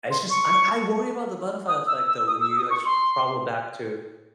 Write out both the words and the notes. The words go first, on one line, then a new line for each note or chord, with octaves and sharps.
I just I I worry about the butterfly effect though when you, like, s travel back to,
C6
C#6
D#6
E6
E6
D#6
E6
D#6
C#6
C6